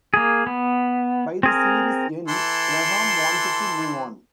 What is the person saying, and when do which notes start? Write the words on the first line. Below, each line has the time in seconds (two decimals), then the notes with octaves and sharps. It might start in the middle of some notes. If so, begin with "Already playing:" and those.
By the series' end, Graham wanted to move on.
0.14 A#3 G#4
0.47 B3
1.43 C4 G#4 A#4
2.28 E3 A4 C6